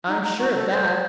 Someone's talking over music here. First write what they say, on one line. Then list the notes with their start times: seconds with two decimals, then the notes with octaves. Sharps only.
I'm sure of that.
0.07 D#4
0.23 D#4
0.38 F#4
0.54 A4
0.69 C5